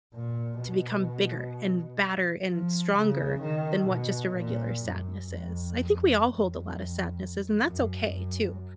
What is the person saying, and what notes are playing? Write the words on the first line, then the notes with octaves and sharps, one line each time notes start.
to become bigger, and badder, and stronger than what just a regular sadness is, I think we all hold a lotta sadnesses, and that's okay too.
A#2
B2
F3
C#3
D#3
B2
A#2
F#2
F2
F2
F#2
F#2